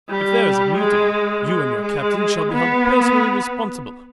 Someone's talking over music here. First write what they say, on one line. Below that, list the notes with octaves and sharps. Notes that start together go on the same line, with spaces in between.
If there is a mutiny, you and your captains shall be held personally responsible.
G3
G#3
G#3
G#3
B3